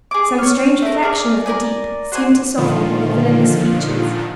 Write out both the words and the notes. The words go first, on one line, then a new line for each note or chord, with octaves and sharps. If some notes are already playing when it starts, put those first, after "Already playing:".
Some strange reflection of the deep seemed to soften their villainous features.
G#4 D6
C#5 F6
A3 A#4
G#4 A#4 D5
A#4 B4 D5 G#5
F#4 C5 D5 G#5
A#2 D3 D#3 F3 F4